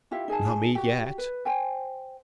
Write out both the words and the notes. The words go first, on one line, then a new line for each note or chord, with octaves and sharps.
Not me, yet.
E4 F4 G4 E5
D#4 G#4 G#5 A5
F#4 G4
B4
C5 G5 G#5